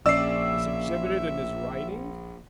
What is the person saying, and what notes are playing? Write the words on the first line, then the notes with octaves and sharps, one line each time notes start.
"As exhibited in his writings?"
A#1 C#4 D5 E5 E6 C7